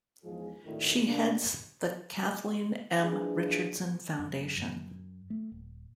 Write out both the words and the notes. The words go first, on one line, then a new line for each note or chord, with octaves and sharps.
She heads the Kathleen M. Richardson Foundation.
E2 G#2 F3 G#3 G#4
G#1 D2 A2 D3 D#3 E4
C3 A#3 D4
E3 F3 A#3 D4 G#4
F#2
F#2
A3
D#1